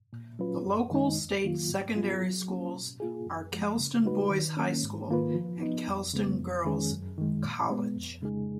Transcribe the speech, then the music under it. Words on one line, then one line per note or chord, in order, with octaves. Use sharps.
The local State secondary schools are Kelston Boys' High School and Kelston Girls' College.
A#2
F#3 C#4 F4 B4
F#2
D#3 G#3 D#4
F2
D#3 F#3 A#3 F4
G#2
F#3 B3 F4 G#4
F#3
A#3 C#4
B2
A#3 F4 G#4
F#2
F3 G#3
C#3
G#3 D#4 F#4 B4
D#3
A#3 C#4
G#2
D#3 A#3 F4 B4
F3
B3 D#4
F2
C#3 G#3 B3
F2
D#3 G#3 C#4 G#4
F#2
D#3 G#3
A#2
G#3 B3
F2
C#3 G#3 D#4 G#4